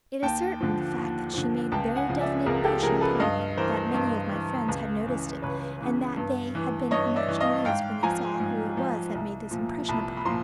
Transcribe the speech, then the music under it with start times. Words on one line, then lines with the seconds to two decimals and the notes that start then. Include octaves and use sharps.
It is certainly the fact that she made a very definite impression upon me, that many of my friends had noticed it and that they had been much amused when they saw who it was that made this impression upon me.
0.22 D#2 G5 A5
0.61 D3 F3
0.97 D#2
1.34 D3 F3
1.72 C#2 G5 A5
1.96 F#5 G#5
2.09 C#3 F3
2.21 D5 E5
2.45 C#2 G#4 A#4
2.64 G4 A4
2.83 F3 G#4 A#4
2.87 C#3
3.01 A4 B4
3.20 G2 D#5 F5
3.57 E3 A#4 C5
3.94 G2
4.32 E3
4.68 C#2
5.06 C#3 E3
5.42 C#2 B4 C#5
5.81 C#3 E3
6.17 G2
6.55 E3
6.91 G2 C#5 D#5
7.16 D5 E5
7.28 E3
7.40 D#5 F5
7.65 G#2 F5 G5
8.03 F3 G#5 A#5
8.40 G#2
8.77 F3
9.15 C2
9.51 A#2 F3
9.89 C2 A5 B5
10.17 B5
10.25 A#2 F3 A#5 C6